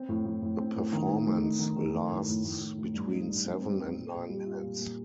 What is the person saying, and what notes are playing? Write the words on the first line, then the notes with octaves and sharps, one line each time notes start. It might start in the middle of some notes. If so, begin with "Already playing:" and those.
A performance lasts between seven and nine minutes.
Already playing: C4
A2
A2
A2
C4
A2
D#3
D#4
A3
D#4
D#3
D#3
A3
A2
A2
A2
A2
A2
G2
D#4
G2
C4
C4
C4
A#2
A#2
G3
F4
A#2
A#2